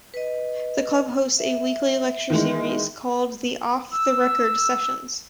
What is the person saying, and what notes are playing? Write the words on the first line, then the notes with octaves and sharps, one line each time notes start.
The club hosts a weekly lecture series called the Off-the-Record Sessions.
B4 D#5
E5
D#3 E3 G#3
E6